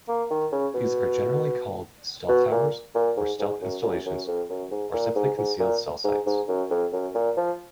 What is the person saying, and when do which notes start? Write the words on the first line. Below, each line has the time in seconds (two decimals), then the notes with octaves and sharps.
These are generally called "stealth towers" or "stealth installations", or simply concealed cell sites.
0.08 A#3
0.30 D#3
0.52 C#3
0.74 B2
2.29 B2
2.51 A#2
2.95 A#2
3.17 G#2
3.39 G#2
3.62 F#2
3.83 F#2
4.06 F#2
4.27 F2
4.50 F#2
4.71 G#2
4.94 A#2
5.16 G#2
5.38 G#2
5.60 A#2
6.04 G#2
6.26 G#2
6.48 F#2
6.71 F2
6.92 F#2
7.14 A#2
7.37 F3